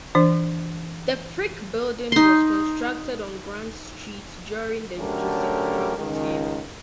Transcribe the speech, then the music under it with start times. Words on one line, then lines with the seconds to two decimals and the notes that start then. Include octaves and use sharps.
The Frick Building was constructed on Grant Street during the Joseph Brown term.
0.15 E3 D4 C5
2.12 D#4 C6
4.99 D3 F#3 A3 C#4 G4 A#4
5.97 C#2 D#3